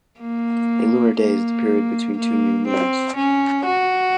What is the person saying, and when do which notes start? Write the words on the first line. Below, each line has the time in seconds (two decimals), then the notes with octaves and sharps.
A lunar day is the period between two new moons.
0.20 A#3
1.19 A#3
2.17 A#3
2.67 C4
3.16 C#4
3.65 F#4